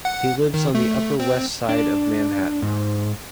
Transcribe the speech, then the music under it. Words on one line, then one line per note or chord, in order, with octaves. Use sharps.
He lives on the Upper West Side of Manhattan.
F#5
D#3
A3
C4
D4
G#2